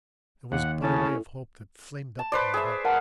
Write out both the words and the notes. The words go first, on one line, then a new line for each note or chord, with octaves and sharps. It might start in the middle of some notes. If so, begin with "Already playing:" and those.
It was but a ray of hope that flamed up in my heart.
D#2 F#5
A2 C#3 C#4 A5
A5
B4 C5 D5
G#4 E5
A#4 F#5 A5